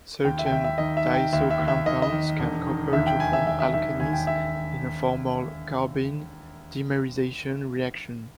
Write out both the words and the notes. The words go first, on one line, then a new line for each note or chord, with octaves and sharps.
Certain diazo compounds can couple to form alkenes in a formal carbene dimerization reaction.
D#2 G5
E5
G5
D#2 E5
E5
D#3 D#5
E5
D#3
G5
D#2 E5
E5
D#2
E5
D#3 D#5
D#5
D#3
E1
D#3
D#2 E5
G5
E1 G#5
E5
E1 E5
E5
D#3 E5
D#2 G#5
G5
E1 E5